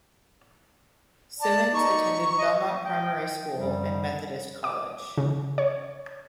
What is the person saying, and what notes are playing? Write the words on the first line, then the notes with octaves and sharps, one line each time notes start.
Simmons attended Belmont Primary School and Methodist College.
D5 A5
D#4 C#6
D#5
F3 D#5 G5
F#2 C#3 F3 G3
D6
C#3
C#5